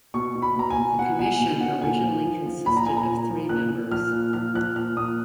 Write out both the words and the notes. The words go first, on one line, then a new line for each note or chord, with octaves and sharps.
The Commission originally consisted of three members.
B2 C#6
B2
B5
B2 A#5
G#5
B2
B2 F#5
B2 G#5
B2
B2 F#5
A#2 G#5
F3
F3
F3
A#2 B5
A#5
A#2 G#5
A#5
A#2
F3
A#2 F#6
A#2
F3 F6
A#2
F3 F6
F3 F#6
A#2 F6
A#2 D#6